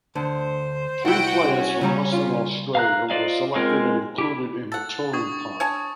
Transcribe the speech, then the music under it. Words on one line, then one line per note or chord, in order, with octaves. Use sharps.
Three players from Western Australia were selected and included in the touring party.
D2 D3 C5
C2 E4 F#4 F#5 G5
C#4
C#3 G3 A#5
F4
F5 A#5 F#6
F4 C5 D5 D#5 F5
G#3 C4 F4 A#4
E4 G4
A4 F#5 A6
D4 C#6 D#6
C#5 G#5 A5